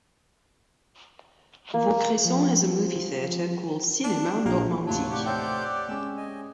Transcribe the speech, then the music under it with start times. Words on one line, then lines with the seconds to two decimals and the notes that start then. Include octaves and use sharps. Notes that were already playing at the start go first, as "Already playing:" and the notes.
Vaucresson has a movie theatre called "Cinema Normandie".
1.74 A#3
2.25 F3
4.04 D4
4.45 A#1 A#3
4.87 D#2 A2 C3 F#3 F4 C#5 A5
5.10 G4 D5 F#5
5.25 A4 C5 C#5 E5 G5 G6
5.88 G#3 C#4 E6
6.17 D#5 G#5